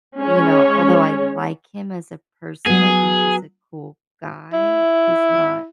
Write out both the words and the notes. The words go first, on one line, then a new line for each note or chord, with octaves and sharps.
you know, although I like him as a person, I think he's a cool guy, he's not
G#3 C#4 C#5
F#3 B3 G#4
E4